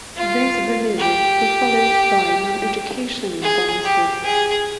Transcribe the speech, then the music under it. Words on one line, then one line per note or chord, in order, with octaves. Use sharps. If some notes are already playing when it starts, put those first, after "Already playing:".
These releases were followed by noneducational bonus discs.
F4
G4
G#4
G4
G#4